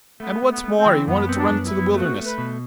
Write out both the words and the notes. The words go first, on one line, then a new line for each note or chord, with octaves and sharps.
And what's more, he wanted to run into the wilderness!
A3 B3
A3
B3
A3
C4
E3
F#2 B3
B3 C4
D4
F#2
E4
B3
A3 F#4
A3
B4
B2